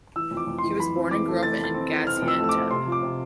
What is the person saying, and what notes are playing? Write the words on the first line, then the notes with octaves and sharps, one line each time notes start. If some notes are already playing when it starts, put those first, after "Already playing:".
He was born and grew up in Gaziantep.
E3 E6
F2
D6
F2
C6
E3
E3 B5
C4
E3 D6
A3
A3 A6
A3 A6
C4
E3
C4 F6
F2
E6
A3
E6
D6
C4
C3 C6
F3
D6
C3